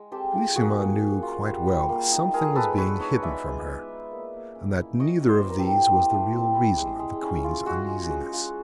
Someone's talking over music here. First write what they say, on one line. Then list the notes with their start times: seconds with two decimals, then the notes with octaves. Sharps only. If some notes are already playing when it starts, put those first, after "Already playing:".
Bellissima knew quite well that something was being hidden from her--and that neither of these was the real reason of the Queen's uneasiness.
Already playing: G#3
0.12 C4 G4 A4
0.34 F4
0.56 A#3 F#4 G#4
0.78 A#3
1.01 C#4
1.23 F4
1.45 G3
1.67 G3
1.89 A#3
2.11 D#4
2.33 G#3 G#4 A#4
2.55 G#3 A4 B4
2.78 B3 B4 C#5
3.00 D#4 C#5 D#5
3.22 G#3 D5 E5
3.45 G#3
3.67 B3
3.88 D#4
4.11 A#3
4.33 A#3
4.55 C#4
4.78 E4
5.00 F#3 C#5 D#5
5.22 F#3
5.29 C5 D5
5.44 B3
5.50 A#4
5.59 G4 A4
5.66 E4
5.88 A3
6.11 A3
6.33 C4
6.55 E4
6.77 G#3
6.99 G#3
7.22 C#4
7.44 F4
7.66 G#3 F#4
7.89 G#3
8.11 C#4
8.33 F4